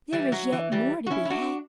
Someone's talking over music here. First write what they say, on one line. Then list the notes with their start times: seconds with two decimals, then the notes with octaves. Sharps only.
"There is yet more to be had!"
0.12 E3 G3
0.32 F#3
0.52 E3
0.72 E3 G3
1.06 F#4
1.10 C#4 E4
1.25 E4
1.30 D4 F#4